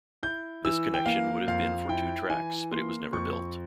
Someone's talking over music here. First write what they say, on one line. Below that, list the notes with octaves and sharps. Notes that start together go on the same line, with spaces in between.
This connection would have been for two tracks, but it was never built.
E4 G6
E3 E6
G5
A#3 F5
F2 F5
E4 G5
E3 G#5
A#3 C6
F2 C#6